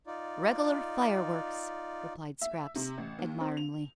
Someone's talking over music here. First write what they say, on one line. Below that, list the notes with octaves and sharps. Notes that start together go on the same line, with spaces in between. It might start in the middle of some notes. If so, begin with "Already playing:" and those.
"Reg'lar fireworks," replied Scraps, admiringly.
D#4 F4 D5
E5
C3
A1
D#2
C4
F7